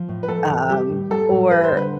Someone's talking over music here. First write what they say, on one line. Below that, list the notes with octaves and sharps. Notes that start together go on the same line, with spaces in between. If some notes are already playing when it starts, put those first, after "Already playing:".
um, or
Already playing: F3
A2
B4
A3 A4
E3
G3 G4
A2
G3 A4
A2
G3 B4
C5
D3 B4